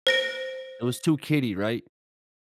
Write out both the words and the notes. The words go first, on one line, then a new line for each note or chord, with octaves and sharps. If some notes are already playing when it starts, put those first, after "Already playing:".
It was too kiddy, right?
C5 A#6 D7